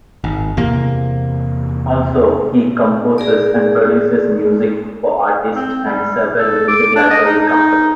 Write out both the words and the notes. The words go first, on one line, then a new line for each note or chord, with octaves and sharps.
Also, he composes and produces music for artists and several music library companies.
G#1
E2 C3 A#3
G#4 A#4 D5
C4
G3
A4
D6
D4
D#5
D#4
D#4